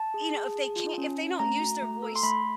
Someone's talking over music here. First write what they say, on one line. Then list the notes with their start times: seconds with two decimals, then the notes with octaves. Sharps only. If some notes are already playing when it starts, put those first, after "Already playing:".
you know, if they can't if they don't use their voice
Already playing: A5
0.14 G#4
0.35 G#4
0.56 G#4
0.76 F4
0.98 C#4
1.19 C#4
1.39 A3 A#5
1.60 F#4
1.82 A3
2.02 A4
2.16 C6
2.23 A3 B5